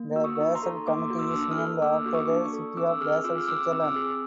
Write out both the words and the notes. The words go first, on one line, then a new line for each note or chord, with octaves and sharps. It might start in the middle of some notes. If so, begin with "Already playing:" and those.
The Basel Committee is named after the city of Basel, Switzerland.
Already playing: A#3
F#4 E6
C#6 D#6
D#4
A#5 C6
A4
A#3 C6 D6
F#4
D6 E6
D4
D#6 F6
A4
A#3 D6 E6
F#4 D6
C#6 D#6
D4
C#6 D#6
A4
C4 D6 E6
G#4 D#6 F6
F4 D6 E6
F6
C4 D6 E6
C4 D6 E6
G#4